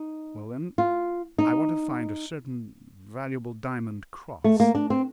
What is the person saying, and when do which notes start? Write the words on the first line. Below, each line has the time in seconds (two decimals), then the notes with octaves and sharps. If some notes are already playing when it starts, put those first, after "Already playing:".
"Well then, I want to find a certain valuable diamond cross."
Already playing: D#4
0.78 F4
1.38 D#4
4.44 A3
4.60 A#3
4.75 D4
4.90 C4